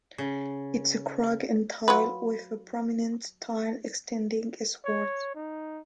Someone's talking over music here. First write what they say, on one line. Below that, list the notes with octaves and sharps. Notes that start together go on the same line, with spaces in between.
It is a crag and tail with a prominent tail extending eastwards.
C#3
F#3 F4 B4
C#5
D#4